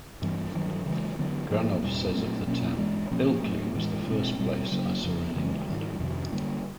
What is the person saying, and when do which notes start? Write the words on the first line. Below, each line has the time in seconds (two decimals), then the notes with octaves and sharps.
Granov says of the town, Ilkley was the first place I saw in England.
0.22 G2 E3 G3 B3
0.55 G2 D#3 F#3
0.86 C#3 E3 G#3
1.19 D3 F#3 B3
1.50 G#2 F3 A#3
1.83 E2 B2 G3
2.15 A#2 F#3 A3 C4
2.47 B2 F#3 A#3 C#4
2.78 G2 E3 G#3
3.11 A#2 F3 A#3 C#4
3.43 A2 F#3 A3
3.75 A2 E3 G#3
4.08 B2 G#3 C4
4.40 B2 G3 C4
4.71 C#3 F#3 A#3
5.03 F2 C#3 F3
5.36 C#3 E3 G#3
5.68 G#2 D#3 G3
6.00 F2 C3 D#3
6.32 D3 G3 A#3